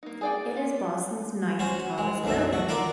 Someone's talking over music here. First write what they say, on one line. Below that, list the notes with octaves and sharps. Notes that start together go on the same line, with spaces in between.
It is Boston's ninth-tallest building.
A#3 D#4
G#4 D5 G5
F4
C#4 F#4 C5
G#3
B1 F#2 D3 A3 E5
F#4
F4 A#4 B4 D5 E5 F5